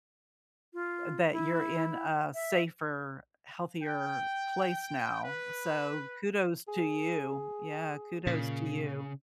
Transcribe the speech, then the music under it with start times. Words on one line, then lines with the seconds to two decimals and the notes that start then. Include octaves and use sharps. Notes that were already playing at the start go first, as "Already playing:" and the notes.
that you're in a safer, healthier place now, so, kudos to you, yeah, kudos to you.
0.73 F4
1.32 E4
2.34 E5
3.83 G5
5.24 B4
6.68 G#4
8.27 A#2 C#3